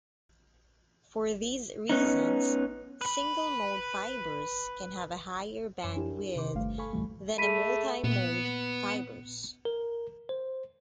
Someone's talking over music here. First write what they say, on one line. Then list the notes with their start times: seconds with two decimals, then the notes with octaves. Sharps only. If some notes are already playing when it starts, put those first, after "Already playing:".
For these reasons, single-mode fibers can have a higher bandwidth than multi-mode fibers.
1.89 B3 C#4 D#4
3.01 B4 B5
5.83 F#2 C#5 G#5 C6 E7
5.96 D4 E4 G4 A#4
6.36 C3 D#3 B4 C5 C6 D6
6.54 G1 G2 A3 F5
6.78 A4 F5 G#5 B5 C#6
6.93 C#2 G#2 B2 E3 G3 A3
7.38 A3 G#4 B5 B6 D#7
8.04 A#2 B3
9.65 A#4
10.29 C5